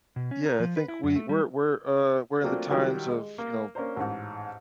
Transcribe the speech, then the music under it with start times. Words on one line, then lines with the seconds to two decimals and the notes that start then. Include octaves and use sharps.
Yeah, I think we we're we're, uh, we're in the times of, you know,
0.16 B2
0.31 C#4
0.45 A#4
0.60 F3
0.76 B4
0.88 E4
1.03 F#2
1.16 A3
1.29 G3
2.43 F#3 A3 A#3 C4 D4 F4
2.70 D#3 F#3 G3 E4 F4 G4
3.08 G#3
3.38 A#3
3.75 A#3 C#4 D4 A#4 C5
3.96 A1 G#2